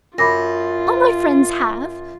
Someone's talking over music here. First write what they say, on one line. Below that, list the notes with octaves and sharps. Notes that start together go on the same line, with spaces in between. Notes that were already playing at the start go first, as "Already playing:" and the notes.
All my friends have.
F#2 F4 B5 D6 A#6